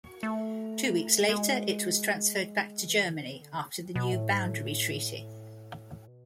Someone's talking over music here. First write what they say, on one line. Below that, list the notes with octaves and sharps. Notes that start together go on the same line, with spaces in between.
Two weeks later, it was transferred back to Germany after the new Boundary Treaty.
A3
G#3
E3
D3
E3
D3
C#3
B2
A2
G#2
A2
B2